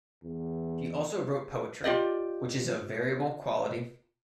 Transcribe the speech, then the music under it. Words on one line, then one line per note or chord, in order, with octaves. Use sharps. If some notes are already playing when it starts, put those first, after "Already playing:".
He also wrote poetry, which is of variable quality.
E2
F4 G4 D5 D#5